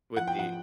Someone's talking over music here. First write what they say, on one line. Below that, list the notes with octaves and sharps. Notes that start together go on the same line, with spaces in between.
With the
F3 F#5
G5
F3 F#5